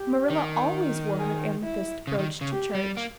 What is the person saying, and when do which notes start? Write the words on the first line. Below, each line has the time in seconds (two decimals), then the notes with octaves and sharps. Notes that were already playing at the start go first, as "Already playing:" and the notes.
Marilla always wore her amethyst brooch to church.
Already playing: G4
0.30 D#3
1.19 G#4
1.64 E4
2.07 C#3
2.19 D#3
2.41 C#3
2.52 G4
2.75 G3
2.97 A#3